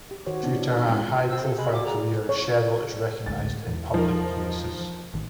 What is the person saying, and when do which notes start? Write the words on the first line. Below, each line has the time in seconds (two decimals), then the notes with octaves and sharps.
Due to her high profile career, Cheryl is recognized in public places.
0.11 G4
0.26 D#3 F#4 C5 C#5
0.43 B3 D4 E4
0.77 D#4
0.89 G#3 C4 E4 F4
1.30 C4 E6
1.42 A4
1.58 G#3 B5
1.73 A#2 F#4 D6
1.86 G#4 A#5
2.29 C#5
3.26 A1 D2 A2 A6
3.67 E2
3.94 F3 D#4 A#4
5.14 A1 D#3